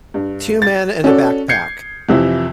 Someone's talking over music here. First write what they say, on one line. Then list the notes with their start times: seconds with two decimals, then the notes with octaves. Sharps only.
Two men and a backpack.
0.14 G2
0.62 A6
1.04 C#4 F#4 A4 D5
1.49 G6 G#6 C7 C#7
2.09 F2 C3 E3 F3 E4